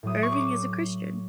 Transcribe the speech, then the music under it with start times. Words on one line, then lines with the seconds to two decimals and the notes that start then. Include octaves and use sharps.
Erving is a Christian.
0.03 A2 F#3 D#6
0.23 C#6
0.32 D6